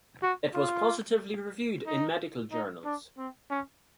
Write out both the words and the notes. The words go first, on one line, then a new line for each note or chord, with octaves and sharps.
It was positively reviewed in medical journals.
F#4
F4
D#4
D#4
D4
C4
C#4